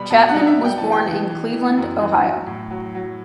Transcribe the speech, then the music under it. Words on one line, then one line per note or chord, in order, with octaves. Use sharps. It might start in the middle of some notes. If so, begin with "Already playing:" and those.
Chapman was born in Cleveland, Ohio.
Already playing: B2 G3 B5
B2 A5
F#5
G3
E5
B2
G5
E3 A5
G5
E3
E3
E3
F#2
E3
F#3
A2
F#3
F#3